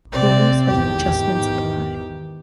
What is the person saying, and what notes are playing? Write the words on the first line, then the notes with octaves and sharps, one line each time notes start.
Numerous other adjustments apply.
C3 C4 D5
G#1 E2 G4
E2 G#2 D#3